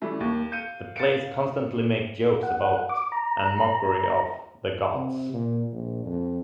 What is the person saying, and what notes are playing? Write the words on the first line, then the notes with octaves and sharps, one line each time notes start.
The plays constantly make jokes about and mockery of the gods.
E3 G3 A3 C#4
D#2 A#3
F5 G6 C#7 D#7
A6 C#7 D7
F#5
D6
A#5
C3
A#2
A#1
F2